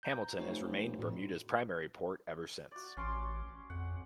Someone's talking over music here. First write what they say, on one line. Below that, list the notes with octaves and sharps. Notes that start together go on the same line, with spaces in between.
Hamilton has remained Bermuda's primary port ever since.
A#5 G6
F1 D#4 C5 C#5
D2 A2
F#4 D5
A1 C#4 C6 D6
F2 F#5